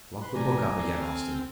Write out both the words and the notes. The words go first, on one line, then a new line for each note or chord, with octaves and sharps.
Lock the book up again, Austin.
B4 C6 F#6
C3 A3 D4 G#5 A#5
C4 C5
A4 G#5 F6